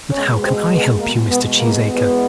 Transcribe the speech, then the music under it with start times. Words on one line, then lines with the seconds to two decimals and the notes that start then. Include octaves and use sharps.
"But how can I help you, Mr. Cheesacre?"
0.12 B2 G#3 C#4
0.42 C4
0.72 B3
1.00 B2 G#3 A#3
1.30 B3
1.60 A#3
1.88 E2 B2 G#3 B3